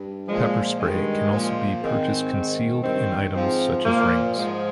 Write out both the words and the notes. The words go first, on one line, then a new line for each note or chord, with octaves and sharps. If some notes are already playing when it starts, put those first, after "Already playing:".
Pepper spray can also be purchased concealed in items such as rings.
Already playing: G2
A#2 F3 G#3
G2 D#3 G#3
A#2 F3
G#2 D#3 C4
G#2 D#3
G2 D#3 C4
G#2 F3 C4
A#2 F3 A#3
G#2 F3 G#3